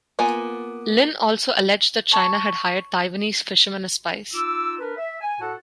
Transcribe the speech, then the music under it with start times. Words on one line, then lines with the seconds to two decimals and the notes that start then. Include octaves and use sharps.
Lin also alleged that China had hired Taiwanese fishermen as spies.
0.19 A#3 B3 F4 G#5
2.11 C#5 A5 C#6
4.33 D#4 F4 D6 E6
4.80 D4 A#4 B4
4.97 E5
5.21 G#5
5.40 A2 F#4 A4 F#5 A5